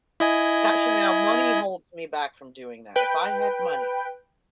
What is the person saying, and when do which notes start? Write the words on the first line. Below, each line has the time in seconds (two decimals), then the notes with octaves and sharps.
Gotcha. Now money holds me back from doing that. If I had money
0.20 E4 D#5 G#5
2.96 B4 G5